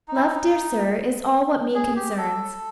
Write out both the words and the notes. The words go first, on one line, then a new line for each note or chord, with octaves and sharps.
Love, dear sir, is all what me concerns.
D#4
E4
D#4
G#4
G4
A4